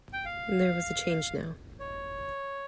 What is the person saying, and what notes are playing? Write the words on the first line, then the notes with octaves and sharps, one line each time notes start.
There was a change now.
G5
F5
C#5